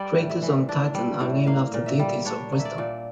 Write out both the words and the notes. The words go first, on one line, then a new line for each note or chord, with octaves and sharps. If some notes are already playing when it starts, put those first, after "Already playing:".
Craters on Titan are named after deities of wisdom.
Already playing: G3 D5
A2
E5
E3
D4
G3
A2
A#3 F5
A#2
E5
G3
D4 C#5
A#3
E5
D5
A#2